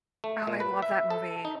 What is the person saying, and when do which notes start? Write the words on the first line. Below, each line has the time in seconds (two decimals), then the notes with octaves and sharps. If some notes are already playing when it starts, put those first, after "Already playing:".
Oh, I love that movie.
0.24 A3
0.47 A#2
0.60 B4
0.82 E5
1.10 A4
1.45 D#4